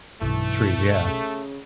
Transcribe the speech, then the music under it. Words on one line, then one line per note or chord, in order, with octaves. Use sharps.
trees, yeah.
B1 G2 E3 A3 D4
C#3